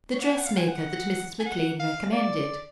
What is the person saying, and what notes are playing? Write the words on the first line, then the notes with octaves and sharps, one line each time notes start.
"The dress-maker that Mrs. McClean recommended?"
C#5
F#5
G#5
F#5
F5
G#5
F#5
G#5
F#5
F5
D5